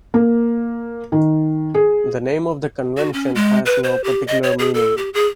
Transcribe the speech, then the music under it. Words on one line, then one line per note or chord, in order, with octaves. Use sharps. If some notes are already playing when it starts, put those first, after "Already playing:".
The name of the convention has no particular meaning.
A#3
D#3
G#4
F#4
C#4
G#3
B4
C5
G4
D#5
C#5
G#4
A4
G4
G#4